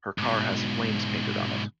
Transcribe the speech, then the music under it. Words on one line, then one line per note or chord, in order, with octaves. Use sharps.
Her car has flames painted on it.
G#2 B2